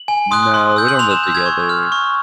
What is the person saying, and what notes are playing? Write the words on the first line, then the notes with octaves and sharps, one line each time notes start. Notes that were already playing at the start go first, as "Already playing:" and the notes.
No, we don't live together.
Already playing: F#7
G#5
C6 D#6 F#6
C6
E6 G6
F#7
C6 F7
E7
E6 G6
G#6
C#6
F6
C#6